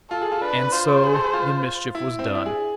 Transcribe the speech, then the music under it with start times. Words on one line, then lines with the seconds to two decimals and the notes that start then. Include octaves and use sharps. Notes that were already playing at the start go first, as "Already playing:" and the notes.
And so the mischief was done.
0.11 F4 A4
0.22 G#4
0.32 F4
0.41 D4 B4
0.72 F4 C5
1.04 G#4
1.14 A4
1.24 G#4
1.33 F4
1.95 E4
2.19 C4
2.25 D4
2.35 E4
2.46 G#4